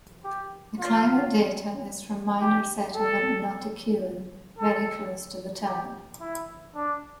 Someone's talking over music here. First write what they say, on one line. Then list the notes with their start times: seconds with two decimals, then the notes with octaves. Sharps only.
The climate data is from minor settlement Notikewin very close to the town.
0.24 G4
0.79 F4
2.40 G4
2.95 A4
4.58 A4
5.66 G4
6.21 E4
6.75 D4